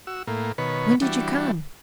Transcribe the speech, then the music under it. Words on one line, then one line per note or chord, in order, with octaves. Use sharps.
"When did you come?"
F#4 E6
A2 A#3
B2 D#3 B4 C#5
E3 G3 D4 F#4